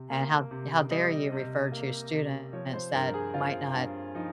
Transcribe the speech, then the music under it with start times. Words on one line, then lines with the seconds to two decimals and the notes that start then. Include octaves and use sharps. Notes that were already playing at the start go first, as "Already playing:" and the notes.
And how how dare you refer to students that might not
Already playing: C3
0.10 A#3
0.51 C3
0.91 G3 D#5
1.32 C3
1.72 A#3
2.13 C3
2.53 F3 C#5
2.73 C5
2.94 G2 A#4
3.14 G#4
3.34 C4 F4
3.74 G2
4.15 F3 D#4